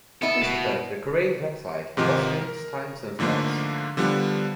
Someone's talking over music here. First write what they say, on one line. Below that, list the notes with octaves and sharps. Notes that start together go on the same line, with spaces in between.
Please refer to the Korail website for bus routes, times, and fares.
B3 E4 A4
B2
G#2 C3 D#3 F3
A#4
G#2 D3 F3 A3 A#3
D3 F3 G3 B3 D4